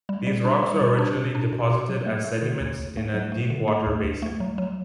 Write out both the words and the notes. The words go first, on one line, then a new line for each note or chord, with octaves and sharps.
These rocks were originally deposited as sediments in a deep water basin.
G3
G3
D4
G3
B2
D4
B2
D4
B2
B2
F#3
A3
A3
D3
D2
D2
A3
F#3
A3
D3
A3
D2
D2
A3
F#3
F#3